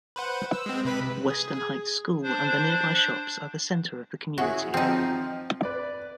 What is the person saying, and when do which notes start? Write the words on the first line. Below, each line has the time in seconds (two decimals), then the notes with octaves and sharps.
Western Heights School and the nearby shops are the centre of the community.
0.16 B4 C5 F#5
0.53 E6
0.66 G#3 C4
0.85 C3 B4 B6
1.27 G#4
2.23 D4 C5
4.38 C#4 E4 F#4 G#4
4.74 F3 C4 D#4
5.63 B4 D5